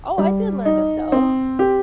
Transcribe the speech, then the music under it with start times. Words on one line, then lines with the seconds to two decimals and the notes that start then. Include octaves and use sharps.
"Oh, I did learn to sew."
0.18 G3
0.65 D#4
1.12 C4
1.59 G4